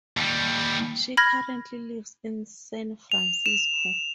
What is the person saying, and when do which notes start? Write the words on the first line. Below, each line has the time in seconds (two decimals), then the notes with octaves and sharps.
She currently lives in San Francisco.
0.17 D#2 G3
1.17 B5 F6 G#6 A#6
3.12 F7
3.46 E7